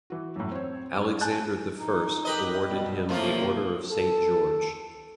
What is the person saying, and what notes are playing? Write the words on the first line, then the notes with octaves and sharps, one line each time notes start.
Alexander the First awarded him the Order of Saint George.
E3 F#4
F#2 A2
C4 C#5
G2
G#5 A5 F#6 G6 A6
D#4
G4 A#4 B4 D#5
B2 G3
A2 C3 F3 A3 A#3 F4
A4